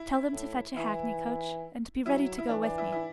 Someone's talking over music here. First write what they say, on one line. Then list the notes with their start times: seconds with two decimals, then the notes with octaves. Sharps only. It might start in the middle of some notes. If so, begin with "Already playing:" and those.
'Tell them to fetch a hackney-coach, and be ready to go with me.
Already playing: E4
0.33 A2
0.76 E3 E4
2.05 F#3 E4
2.38 E4
2.49 E3 D4
2.63 D4
2.78 E4
2.92 E4